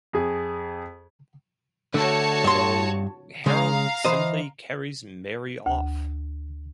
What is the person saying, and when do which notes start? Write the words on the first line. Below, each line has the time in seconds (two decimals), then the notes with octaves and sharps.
So Harold simply carries Mary off.
0.13 F2 G#4
1.94 D3 A3 F#4 C#5 A5
2.44 G2 C6
3.46 C#3 G#3 F5 A#5
4.05 E3 C5 D#5
5.66 D2